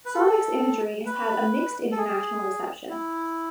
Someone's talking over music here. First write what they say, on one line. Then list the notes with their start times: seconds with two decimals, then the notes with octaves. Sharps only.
Saudek's imagery has had a mixed international reception.
0.06 B4
0.14 A4
1.06 B4
1.92 A4
1.98 G#4
2.90 E4